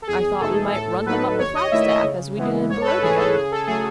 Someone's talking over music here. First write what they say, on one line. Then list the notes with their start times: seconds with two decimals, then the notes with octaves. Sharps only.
"I thought we might run them up the flagstaff, as we did in Barodia."
0.02 A4
0.08 E2 G#4
0.40 B2 A3 D#4 A4
0.73 A2 A4
1.06 F#3 B3 D#4 B4
1.39 D#2 C#5
1.55 D#5
1.71 D#3 A3 E4 E5
1.88 D#5
2.04 C#3
2.37 E3 G#3 B3 E4
2.70 G#2 C#5
2.82 A4
2.86 B4
3.02 E3 A3 E4 G#4
3.18 A4
3.35 C#3 G#4
3.52 A4
3.67 F#3 A3 G#4